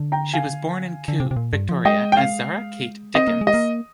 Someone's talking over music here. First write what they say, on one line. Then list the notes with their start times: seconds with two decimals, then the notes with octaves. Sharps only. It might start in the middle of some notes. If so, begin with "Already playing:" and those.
She was born in Kew, Victoria as Zara Kate Dickins.
Already playing: D3
0.12 G5 A#5
0.33 F5 G#5
1.08 D3
1.20 C3
1.31 C3
1.36 A#2
1.53 G2
1.69 F3
1.85 G#3 D#5 G5
2.12 G5
2.17 F5
3.15 C4 D#5
3.27 A#3
3.41 G#3
3.47 D#5
3.54 A#3